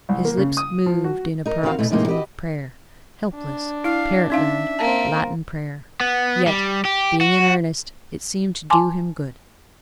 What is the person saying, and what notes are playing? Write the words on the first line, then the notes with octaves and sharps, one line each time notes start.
His lips moved in a paroxysm of prayer--helpless, parrot-learnt, Latin prayer; yet, being in earnest, it seemed to do him good.
C2
A#3
C#3
D#6
F3
F#4
D#4 A#4
D#2 D#3 C4 F#4 D5 F5
B2 E3 A3
D#2 A2 C3 G#3 A#3 D#4
F#4 G4 B4 C5 D#5
D4
E4 F5
C#4 D#4 E5 F5
A#3 C4 A5
B3
G3
G4
F#4
G#5 A5 C6 D6